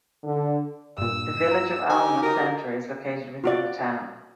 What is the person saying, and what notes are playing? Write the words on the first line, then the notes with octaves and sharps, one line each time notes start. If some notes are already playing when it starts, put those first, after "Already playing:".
The Village of Alma Center is located within the town.
D3
G2 A#2 E6
F4 A#5
D#4 G4 C5 G#5 E6
F#4 A#4 D#6
F4 F#4 D5